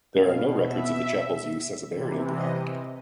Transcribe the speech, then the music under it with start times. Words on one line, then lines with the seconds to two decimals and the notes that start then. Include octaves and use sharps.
There are no records of the chapel's use as a burial ground.
0.18 B2 F5
0.62 E5
1.90 C3 E3
2.33 D#5